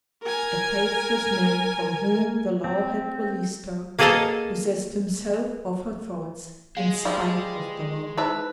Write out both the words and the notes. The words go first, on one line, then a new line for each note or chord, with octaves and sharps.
The faithless man from whom the law had released her, possessed himself of her thoughts, in spite of the law.
A#4 G#5
C4
A#3 G#4 A4 D#5 F5 A5
G#3 F5
F3 G3 E4
D#4 E4 B4 C5 E5